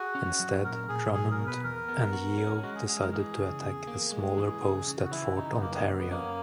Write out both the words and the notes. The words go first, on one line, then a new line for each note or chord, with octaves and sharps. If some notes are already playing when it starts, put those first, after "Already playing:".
Instead, Drummond and Yeo decided to attack the smaller post at Fort Ontario.
Already playing: F#4 G#4
C#4
F#3
A#2 A#4
A#2 G#4
F#3 G#4
A#4
B2
B4
E2 A#4
B3
F#4
C#4
G#3 F#4
G#4
G#3 G#4
A#4
E3 G#4
C#3
E2
A#3
G#3
E3
C#3
C#3
F#4
E3 E4
C#3 D#4
B3
F#2 A#3
B3
F#2
B3
A#3 C#4